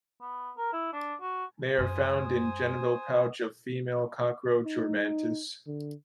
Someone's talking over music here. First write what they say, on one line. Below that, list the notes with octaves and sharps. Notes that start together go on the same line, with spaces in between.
They are found in genital pouch of female cockroach or mantis.
B3
A#4
E4
D4
F#4
F#2 G#3 C5 G#5 D#6
D#4
D3